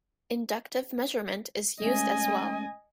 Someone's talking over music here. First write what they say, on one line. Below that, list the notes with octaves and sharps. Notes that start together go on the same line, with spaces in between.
Inductive measurement is used as well.
G#3 A3 C#4 D#5 G#5